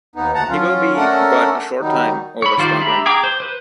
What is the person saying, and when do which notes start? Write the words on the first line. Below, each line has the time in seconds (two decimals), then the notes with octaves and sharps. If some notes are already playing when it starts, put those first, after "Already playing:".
He will be but a short time over Scotland.
0.16 D#2 B3 D#4
0.35 D2 F#5 A5 A#5
0.49 F#3 C#4 F4
0.96 A3 C#4 D4 A4 A#4 F#5
1.81 D#3 F#3 G3 D#4
2.42 C#5 B5
2.58 D#3 G3 F4 C5 D5
2.81 D4 G4 E5 A#5 B5
3.06 G#4 G5 A#5 D6
3.24 C5
3.40 B4 C5